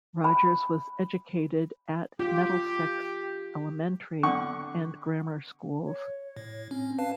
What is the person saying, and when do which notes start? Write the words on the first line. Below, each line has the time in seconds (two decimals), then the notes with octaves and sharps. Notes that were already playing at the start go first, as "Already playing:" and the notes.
Rogers was educated at Middlesex elementary and grammar schools.
0.24 B5
2.19 F4 G4
4.23 D3 F#5 C#6
5.86 C#5
6.37 A2
6.71 C4 C#4
6.98 B4 F5 A5